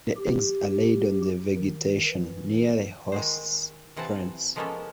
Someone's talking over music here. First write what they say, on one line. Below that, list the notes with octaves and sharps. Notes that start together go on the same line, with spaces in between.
The eggs are laid on the vegetation, near the host plants.
G4
D#3
E3
D#3 G#3 C5
C3 E3 C4 F#5 A5
F3 G#3 A#3 B3 C#4 A4